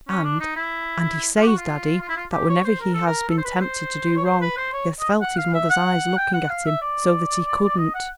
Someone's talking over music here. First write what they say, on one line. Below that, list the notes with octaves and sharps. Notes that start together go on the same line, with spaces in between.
And--and he says, daddy, that whenever he has been tempted to do wrong he has felt his mother's eyes looking at him, so that he couldn't.
C#4
D4
D#4
E4
F4
G4
F#4
F4
F4
E4
F4
G4
C#5
C5
A#4
A4
A#4
A4
C5
B4
C5
C#5
C5
B4
C5
C#5
D#5
F#5
F5
E5
F#5
G5
F#5
F5
E5
D5
D5
D#5
F#5